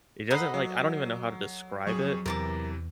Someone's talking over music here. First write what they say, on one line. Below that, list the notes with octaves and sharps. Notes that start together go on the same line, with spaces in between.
it doesn't like, I don't even know how to describe it,
A4 D#5 F#5 A#5 B5 C7
F#3
F2 F#3 G#4 C#6
E2 C3 E3 A#4 A5 D6